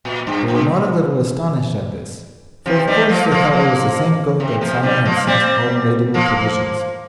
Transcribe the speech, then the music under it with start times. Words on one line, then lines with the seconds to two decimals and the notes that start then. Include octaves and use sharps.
They were not a little astonished at this, for of course they thought it was the same goat that Simon had sent home laden with provisions.
0.05 A#2
0.27 G2
0.48 G2
2.66 C3 F3
2.88 D#3 G3
3.09 F3 A#3
3.32 F3 A#3
3.53 F3 A#3
4.40 C3
4.61 C3 F3
4.83 D#3 G3
5.05 F3 A#3
5.27 G3 C4
6.14 F3 A#3